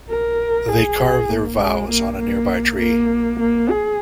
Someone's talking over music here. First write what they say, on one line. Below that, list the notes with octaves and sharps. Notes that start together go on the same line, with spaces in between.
They carve their vows on a nearby tree.
A#4
G#4
A#3
G#3
A#3
A#3
A#3
A#3
G#4